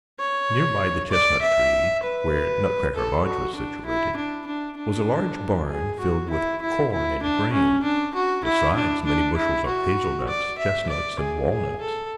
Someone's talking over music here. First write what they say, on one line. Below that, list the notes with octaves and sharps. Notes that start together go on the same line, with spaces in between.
Near by the chestnut-tree where Nutcracker Lodge was situated was a large barn filled with corn and grain, besides many bushels of hazel- nuts, chestnuts, and walnuts.
C#5
D5
E5
B4
A4
F#4
D4
E4
D4
D4
D4
G#4
F#4
E4
E4
E4
D4
C#4
D4
F#4
E4
D4
D4
E4
F#4
D5
E5
D5
G#4
G#4
A4